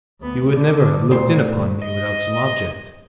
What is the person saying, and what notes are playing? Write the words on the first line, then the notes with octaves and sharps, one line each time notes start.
You would never have looked in upon me without some object.
D2 B3
D3
D2 A#2 C5
D#5